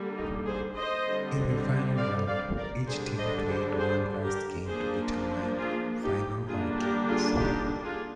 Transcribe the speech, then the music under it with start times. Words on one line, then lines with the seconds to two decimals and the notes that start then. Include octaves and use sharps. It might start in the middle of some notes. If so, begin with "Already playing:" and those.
In the final round, each team played one last game to determine final rankings.
Already playing: D3 G3 A#3
0.17 D#4
0.46 G#4 C5
0.77 C5 D#5
1.06 D3 G3 C4
1.97 D5 F5
2.27 D5 F5
2.57 A#4 D5
2.87 D3 G3 D4 G#4 C5
3.17 C5 D#5
3.48 G#4 C5
3.78 G#4 C5
4.23 G4 A#4
4.68 F3 A#3 D4 G#4 C5
5.59 F4 G#4
6.04 D#4 G4
6.48 D3 G3 A#3 D4 F4 G#4
6.79 G4 A#4
7.09 F4 G#4
7.38 D#4 G4
7.84 F4 G#4